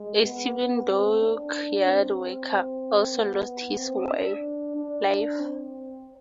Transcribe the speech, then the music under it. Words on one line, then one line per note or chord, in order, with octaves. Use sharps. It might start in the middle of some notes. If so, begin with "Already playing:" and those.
A civilian dockyard worker also lost his life.
Already playing: G#3
B3
C4
D4
C4
B3
C4
D4
D4
C4